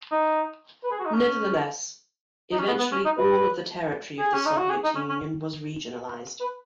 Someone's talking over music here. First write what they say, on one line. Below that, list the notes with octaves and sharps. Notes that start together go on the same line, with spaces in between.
Nevertheless, eventually all of the territory of the Soviet Union was regionalized.
D#4
B4
G#4
F#4
D#4
C#4
D#4
C#4
B3
B3
C#4
D#4
B4
G#4
C#4
D#4
F#4
G#4
D#4
C#4
C#4
B4